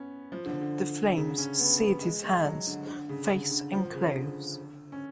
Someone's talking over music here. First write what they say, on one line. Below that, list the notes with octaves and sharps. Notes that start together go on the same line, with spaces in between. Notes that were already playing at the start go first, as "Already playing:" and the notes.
The flames seared his hands, face, and clothes.
Already playing: B3 C#4
F3
D3
D3
C#3
D3
C#4
B3
B3
G#3
G#3
F#3
D3
D3
C#3
D3
D3
F3
C#3
D3
C#4